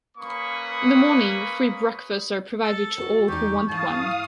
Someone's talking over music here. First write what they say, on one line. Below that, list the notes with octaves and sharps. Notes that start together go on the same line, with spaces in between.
In the morning, free breakfasts are provided to all who want one.
A#3 C#4 B4 B5 C#6 D#6
A4
F#4 A5
E2 D#4 G4 C#6
G#2 E3 F5 A5 D#6